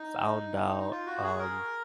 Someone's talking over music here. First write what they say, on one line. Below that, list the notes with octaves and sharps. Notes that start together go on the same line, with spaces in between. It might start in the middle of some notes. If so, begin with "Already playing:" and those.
found out, um,
Already playing: D#4
D#4
F4
F#4
G#4
A#4